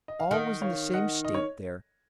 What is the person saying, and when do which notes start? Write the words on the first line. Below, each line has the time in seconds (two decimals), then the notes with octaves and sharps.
All was in the same state there.
0.08 D#5
0.19 F5
0.31 D#3 D#5 F#5
0.62 C#5 F5
0.93 D#5 F#5
1.25 D#5
1.35 C#5